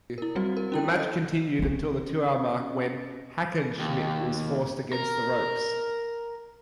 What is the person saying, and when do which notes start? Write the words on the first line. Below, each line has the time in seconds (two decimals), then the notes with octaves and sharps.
The match continued until the two-hour mark, when Hackenschmidt was forced against the ropes.
0.18 E4 A#4
0.35 F#3 G3 C4 F#4
0.57 A#4
0.72 C#4 E4 G5
0.96 A4 D#5
1.59 C4 C#4
3.79 D#2
4.93 A#4